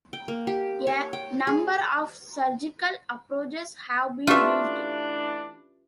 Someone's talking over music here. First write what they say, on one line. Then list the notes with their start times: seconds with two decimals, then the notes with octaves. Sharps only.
A number of surgical approaches have been used.
0.13 G5
0.28 A#3
0.47 G4
0.87 C#5
1.13 G5
1.47 G#4
4.27 E3 A3 C#4 D4 F4 G4 B4 E5